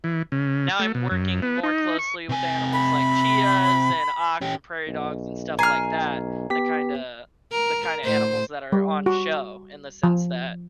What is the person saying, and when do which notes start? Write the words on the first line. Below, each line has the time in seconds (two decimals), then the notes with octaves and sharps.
now I'm working more closely with animals like chias, and ox, and prairie dogs, and stuff like that. The kinda the kinda animals that are on the show, in the sense that,
0.04 E3
0.32 C#3
0.79 A3
0.95 B2
1.11 F#2
1.42 B3
1.63 D#4
1.99 C#6
2.29 C3 G#5
2.73 B5
4.41 C#4 G4
4.88 B1
5.59 G#5 A#5 F6 C7
6.50 B3 G4 B6
7.52 A#4
8.04 A2 C5
8.72 G3
9.06 F#4
10.04 F3